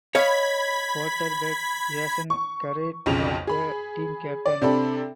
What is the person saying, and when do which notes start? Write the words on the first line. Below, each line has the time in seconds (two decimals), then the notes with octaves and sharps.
Quarterback Jason Garrett was the team captain.
0.15 C#5 D#5 F5 B5 G#6 B6
2.30 C#6
3.06 B1 F2 C#3 F7
3.47 G#4 B5
4.46 D5
4.62 C3 C4 D4 A4 B5